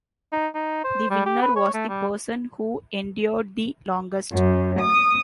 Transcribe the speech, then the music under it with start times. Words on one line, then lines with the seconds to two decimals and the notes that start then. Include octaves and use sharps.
The winner was the person who endured the longest.
0.33 D#4
0.55 D#4
0.84 C5
1.11 G3
1.26 G4
1.42 B4
1.56 C#5
1.74 A3
1.89 G3
4.33 F#2
4.81 D#6